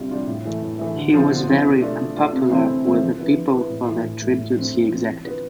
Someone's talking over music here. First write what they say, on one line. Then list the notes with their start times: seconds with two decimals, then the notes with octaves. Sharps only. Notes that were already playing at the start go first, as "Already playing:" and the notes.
He was very unpopular with the people for the tributes he exacted.
Already playing: C3 G3 D4 F4
0.11 G3 D4 F4
0.27 A2
0.45 E3 A3
0.62 A2
0.79 E3 A3
0.96 D3
1.14 F3 C4 E4
1.30 D3
1.47 F3 C4 E4
1.65 B2
1.81 A3 D4 F4
1.99 B2
2.16 A3 D4 F4
2.32 C3
2.50 E3 A3 C4 E4
2.67 C3
2.84 E3 A3 C4 E4
3.01 F3
3.18 B3 E4
3.35 F3
3.53 B3 E4
3.70 A2
3.86 E3 A3 E4
4.04 A2
4.21 E3 A3 E4
4.38 A2
4.55 F3 A3 C4 E4
4.73 A2
4.90 F3 A3 C4 E4
5.07 E3
5.24 B3 F4